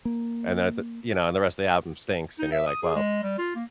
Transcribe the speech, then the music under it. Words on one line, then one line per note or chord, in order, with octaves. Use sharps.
And then th you know, and the rest of the album stinks, and you're, like, "Well
A#3
D#4
E5
D#6
G#4
G#3
G3
F4
A#3